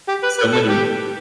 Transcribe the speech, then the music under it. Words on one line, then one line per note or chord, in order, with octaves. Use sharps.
so many
G4
B4
B4
A4
G4